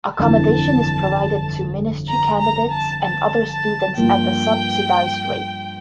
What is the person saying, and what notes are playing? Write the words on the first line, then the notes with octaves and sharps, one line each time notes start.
Accommodation is provided to ministry candidates and other students at a subsidised rate.
G1 F2 E3 A5
A#5
A#5
A5
A5
A5
G2 F3 A#3 F4 G5